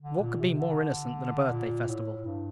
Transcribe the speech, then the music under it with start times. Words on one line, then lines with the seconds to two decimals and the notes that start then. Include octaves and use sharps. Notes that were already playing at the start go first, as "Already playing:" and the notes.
What could be more innocent than a birthday festival?
0.02 D3
0.20 A#2
0.40 C3
0.58 D3
1.51 A#2
1.88 A2
2.25 G2